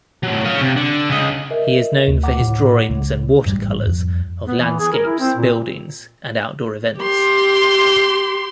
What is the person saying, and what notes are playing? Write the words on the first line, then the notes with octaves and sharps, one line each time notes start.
He is known for his drawings and watercolours of landscapes, buildings and outdoor events.
A2 F#3
C#5 F5
C3
D3
C#3 D#5
A#4 D#5 E5
D2
F#5 A#5 D6
A2
C#2
A1 G#2 G3
F2
B3
E3
G#4
A#4
E4
C4
A#2
G4 C6